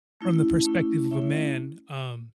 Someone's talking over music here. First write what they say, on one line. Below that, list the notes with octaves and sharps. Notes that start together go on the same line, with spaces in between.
from the perspective of a man, um
A3 C#4 E4
A3 C#4 E4
A3 C#4 E4 C#5 E5